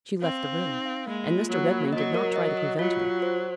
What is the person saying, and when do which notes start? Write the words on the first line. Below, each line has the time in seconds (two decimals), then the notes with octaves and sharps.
She left the room, and Mr. Redmain did not try to prevent her.
0.22 C4 F5
0.43 F5
0.65 D#4
0.86 F5
1.07 G#3 A#3
1.30 F4
1.50 F#3 A#3
1.71 A#3
1.93 F#3 D#5
2.14 A#4
2.36 D#5
2.57 D#5
2.79 F#3 F4
3.00 F4
3.22 C5